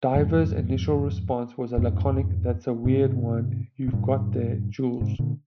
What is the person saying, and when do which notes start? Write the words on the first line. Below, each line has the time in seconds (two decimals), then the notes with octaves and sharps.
Dwyer's initial response was a laconic that's a weird one you've got there, Jules.
0.15 F2 G#2
1.78 F2 G#2
2.85 G#2 C3
3.88 C3
3.93 G2 A#2
5.01 G#2 C3
5.19 A#2 D3